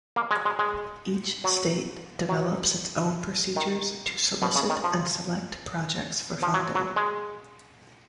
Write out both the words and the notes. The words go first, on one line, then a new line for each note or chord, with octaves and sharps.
Each State develops its own procedures to solicit and select projects for funding.
A#3
G#3
G#3
G#3
F#3
F#3
D#3
B2
C#3
D#3
F3
F3
F#3
F#3
G#3